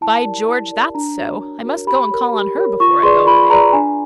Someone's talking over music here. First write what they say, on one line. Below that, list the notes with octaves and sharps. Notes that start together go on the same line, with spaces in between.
"By George, that's so, I must go and call on her before I go away."
E4 A5
G4 A#4 D5
E4
G4 A#4 D5
D4 A#5
F#4 A#4 C#5
D4
F#4 A#4 C#5
G4 B5
A#4 C#5
G4
A#4 C#5
F4 C#6
G#4 B4 D5 C6
F4 B5
G#4 B4 D5 A#5
D4 G#5